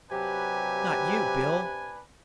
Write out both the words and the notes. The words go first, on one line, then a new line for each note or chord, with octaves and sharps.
Not you, Bill!
C3 F#3 D4 G4 B4 G#5